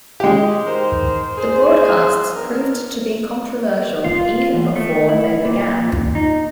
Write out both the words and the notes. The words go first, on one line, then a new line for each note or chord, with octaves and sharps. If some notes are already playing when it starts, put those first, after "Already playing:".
The broadcasts proved to be controversial even before they began.
G#3 G4
D#4 A#4 C5
G#4 C5
B3 D4 A#4
F4
E2
A3
E4
A#2
D#4